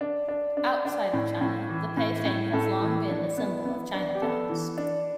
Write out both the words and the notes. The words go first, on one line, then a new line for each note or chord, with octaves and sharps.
Outside of China, the paifang has long been the symbol of Chinatowns.
D4
D4
D4
D4
A2
A2
E3
A2
A2
A2 A4
E3
D4
B3
B3
D4
G4
B3 A4
E3
D4